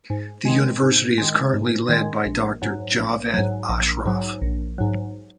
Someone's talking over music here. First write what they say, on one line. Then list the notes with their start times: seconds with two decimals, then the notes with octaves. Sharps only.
The university is currently led by Doctor Javed Ashraf.
0.10 G#2
0.45 D#3 G#3
0.82 G#2
1.18 D#3 G#3
1.53 G#2
1.89 D#3 G#3
2.25 A#1
2.62 G#2 F#3
2.98 A#1
3.34 G#2 F#3
3.69 A#1
4.06 G#2 F#3
4.42 A#1
4.78 G#2 F#3